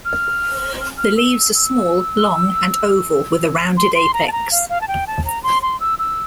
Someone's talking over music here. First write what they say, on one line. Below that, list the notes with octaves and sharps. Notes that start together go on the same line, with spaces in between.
The leaves are small, long, and oval with a rounded apex.
F6
F6
F6
E6
E6
C6
C6
A#5
A5
A#5
F5
F5
A5
G5
A5
A#5
C6
C6
E6
E6